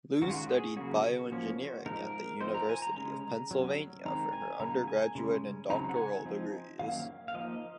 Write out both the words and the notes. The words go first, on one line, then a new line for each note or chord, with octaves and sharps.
Lu studied bioengineering at the University of Pennsylvania for her undergraduate and doctoral degrees.
D#3 G#3 C#4 F#4
F4
F#4
G#4
C#3 F#3 A#3 C#4 F#4
F3 A#3 C#4
F3 G#3 D#4 A#4
F3 C4 D#4 C5
A#5
G#5
A#5
C#3 G#3 C#4
F#3 C#4
D#3 G#3 C4 D#4 A#5
G#5
C#3 F#3 A#3 D#4 A#5
G#5
C#3 G#3 C#4
C#3 F#3 C4 D#4 A#5
F#5
G#5
F3 C4 D#4
D#3 F#3 A#3 C#4 F5
F5
F3 A#3 D#4 D#5